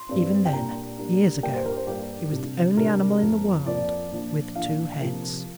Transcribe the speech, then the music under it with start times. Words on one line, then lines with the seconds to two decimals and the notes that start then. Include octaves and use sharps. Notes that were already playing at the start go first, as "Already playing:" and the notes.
Even then, years ago, he was the only animal in the world with two heads.
Already playing: C6
0.09 G2 G3 C4
0.45 G5
0.53 A#2 G3 A#3 D4 A#5
0.98 A#2 G3 A#3 D4
1.43 G2 G3 A#3 D4 G5
1.54 C5
1.66 A#4
1.76 C5
1.87 G2 G3 A#3 D4 G4
2.32 C3 G3 D4
2.77 C3 G3 D4 A#4
3.21 F2 F3 A#3
3.66 F2 F3 A#3 D5
4.11 A#2 F3 D4
4.56 A#2 F3 D4 F5
5.00 C3 F3 A#3